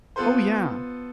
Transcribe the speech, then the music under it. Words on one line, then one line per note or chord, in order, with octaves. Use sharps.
Oh, yeah,
B3 F4 A4 B4 C5